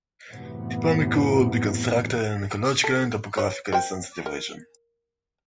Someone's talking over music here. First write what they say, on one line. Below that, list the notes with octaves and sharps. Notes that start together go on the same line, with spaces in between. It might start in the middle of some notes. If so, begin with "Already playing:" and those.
Tipaimukh would be constructed in an ecologically and topographically sensitive region.
F#2 A2 C3 E3 B3
A4
B4 C#5
A#4 C5 G5
A#4